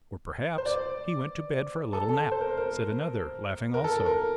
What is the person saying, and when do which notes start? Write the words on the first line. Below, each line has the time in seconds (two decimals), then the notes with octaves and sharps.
"Or, perhaps, he went to bed for a little nap," said another, laughing also.
0.58 C5
0.66 D5
1.93 A4
2.09 A4
2.32 C5
2.41 A#4
2.57 A#4
3.74 A#4
3.84 A4
4.06 A#4